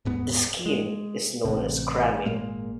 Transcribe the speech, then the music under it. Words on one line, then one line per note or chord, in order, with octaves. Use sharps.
The scheme is known as 'cramming'.
D#1 G#2 B3
G#3
A1 C3
G#1 A#2 G#3 A#3